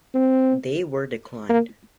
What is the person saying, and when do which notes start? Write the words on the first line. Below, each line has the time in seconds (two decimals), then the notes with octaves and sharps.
They were declined.
0.14 C4
1.49 A#3